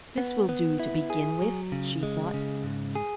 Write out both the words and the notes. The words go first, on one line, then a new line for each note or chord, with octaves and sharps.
"This will do to begin with," she thought.
B3
B3
E4
G#4
F#3
C#3
G#3
C#3
G#2
G#4